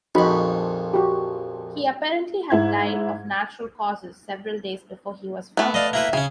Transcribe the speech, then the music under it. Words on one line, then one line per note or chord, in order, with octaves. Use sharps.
He apparently had died of natural causes several days before he was found.
A#1 F2 D#4 F#4 B5
F#4 G4
G#2 E4 G#6
A3 B3
D5 D#5 F5
A#3 E4 B4 E5
C#3 C#4 G#4